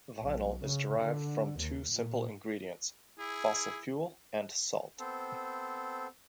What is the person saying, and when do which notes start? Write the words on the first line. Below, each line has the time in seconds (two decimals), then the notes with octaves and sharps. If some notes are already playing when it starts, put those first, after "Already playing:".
Vinyl is derived from two simple ingredients: fossil fuel and salt.
0.21 B1
0.63 C#3
0.98 D3
1.59 D#2
1.91 A#2
3.19 E4 G#4
4.99 B3 C4 A4 C5